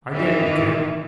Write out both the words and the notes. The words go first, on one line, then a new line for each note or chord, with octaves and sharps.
"I get you, kid."
D#3 E3